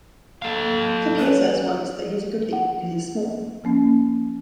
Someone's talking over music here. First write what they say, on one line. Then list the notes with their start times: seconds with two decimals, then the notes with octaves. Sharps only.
Scipio says once that he is a good thief because he is small.
0.42 A#3 A4 F5
1.19 C#4 B4
2.53 F#5
3.64 F3 A#3 C#4